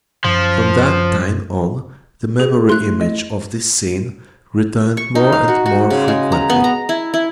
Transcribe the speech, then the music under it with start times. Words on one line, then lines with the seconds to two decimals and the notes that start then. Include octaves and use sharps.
From that time on, the memory image of this scene returned more and more frequently.
0.24 F#2 F3
2.40 G#4
2.69 A3 E4 C6 F#6
3.01 D#5
4.97 C#6
5.15 D#4
5.32 F5
5.48 F#4
5.66 F#4
5.90 C#3
6.08 G#3
6.32 A#5
6.50 B3
6.64 A#5
6.89 E4
7.14 E4